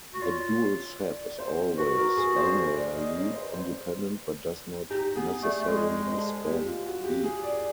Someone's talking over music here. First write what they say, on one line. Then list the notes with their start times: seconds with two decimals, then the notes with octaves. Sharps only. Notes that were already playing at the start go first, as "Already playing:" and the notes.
The dual set is always linearly independent but does not necessarily span "V".
0.14 F#4
0.22 F4 C#5
1.00 D5
1.39 C5
1.77 F#4 B4
1.97 A#4
2.17 G#4
2.36 C5
2.76 D5
2.95 D#5
3.15 C#5
3.34 C5
3.43 B4
3.52 C5
4.90 D#4 G4
5.15 B3 G#4
5.42 A3 D5
5.59 A3
5.68 G#3 D#5
5.87 D5
6.08 C5
6.18 A4
6.26 G#4
6.46 G4
6.65 F4
6.86 F#4
7.04 G4
7.24 G#4
7.43 D5